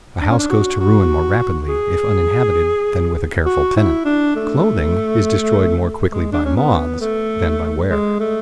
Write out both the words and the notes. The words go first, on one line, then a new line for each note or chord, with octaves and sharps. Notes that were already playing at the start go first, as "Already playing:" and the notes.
A house goes to ruin more rapidly if uninhabited than with a careful tenant; clothing is destroyed more quickly by moths than by wear.
D4
C#4
D4
F#4
F#4
G#4
F#4
E4
D4
A3
G#3
D4
C#4
B3
A3
G#3
A3